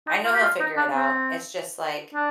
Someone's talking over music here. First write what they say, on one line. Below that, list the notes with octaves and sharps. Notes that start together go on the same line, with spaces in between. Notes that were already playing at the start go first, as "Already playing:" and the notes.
I know he'll figure it out. It's just, like
D#4
F4
G4
F4
D#4
D4
C4
D4